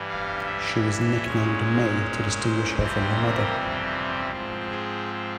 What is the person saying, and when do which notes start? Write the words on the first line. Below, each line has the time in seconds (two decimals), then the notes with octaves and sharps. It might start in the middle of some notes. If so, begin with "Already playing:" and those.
She was nicknamed 'May' to distinguish her from her mother.
Already playing: G2 E3 G3
0.08 F5
0.46 E5
1.24 A#2 G#3 C#4 C#5
1.63 C#5
2.39 C5
2.78 F2 C3 E3 G3 C4
3.16 A#4
4.32 G#2 F3 C4
4.70 G#4